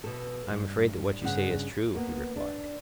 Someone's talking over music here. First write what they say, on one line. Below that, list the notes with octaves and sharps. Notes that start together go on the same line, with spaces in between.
I am afraid that what you say is true, he replied.
B2 A4
G2
G2 C#3 F#5
A#3 B3
D4